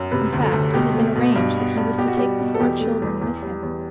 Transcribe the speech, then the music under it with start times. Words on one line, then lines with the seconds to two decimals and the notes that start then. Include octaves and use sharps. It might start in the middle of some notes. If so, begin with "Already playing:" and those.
In fact it had been arranged that he was to take the four children with him.
Already playing: F#2
0.12 C3 B4
0.33 D2
0.43 A4
0.53 D2
0.73 B2 G4
0.94 A3
1.16 B2
1.36 G2
1.57 B3
1.77 G2
1.98 B2 G4
2.08 F#4
2.17 G3 G4
2.39 B2
2.54 A4
2.60 E2 G4
2.80 A3
3.02 E2
3.22 E2
3.42 G3
3.63 E2